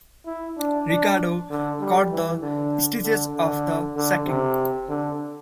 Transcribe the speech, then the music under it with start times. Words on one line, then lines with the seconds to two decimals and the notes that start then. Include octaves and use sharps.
Ricardo cut the stitches of the sacking.
0.26 E4
0.58 D4
0.88 D4
1.50 D3
1.80 G3
2.11 E3
2.41 D3
3.03 D3
3.34 D3
3.95 D3
4.26 C3
4.88 D3